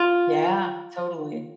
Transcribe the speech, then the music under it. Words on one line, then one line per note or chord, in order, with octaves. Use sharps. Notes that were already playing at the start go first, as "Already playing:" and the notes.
Yeah, totally.
Already playing: F4